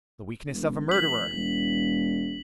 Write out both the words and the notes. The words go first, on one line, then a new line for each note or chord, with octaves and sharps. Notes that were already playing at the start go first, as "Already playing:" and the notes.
"The weakness of a murderer!"
E1
F1 B6 F#7
E1